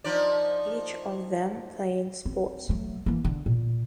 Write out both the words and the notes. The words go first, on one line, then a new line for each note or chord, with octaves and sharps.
Each of them playing sports.
F3 D#4 D5
C4
F#3 A3
E3 A#3
D3
A#2